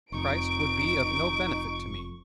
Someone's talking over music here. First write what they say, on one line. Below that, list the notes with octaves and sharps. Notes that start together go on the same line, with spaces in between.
Christ would be of no benefit to me.
F1 F2 D#4 C#6 D7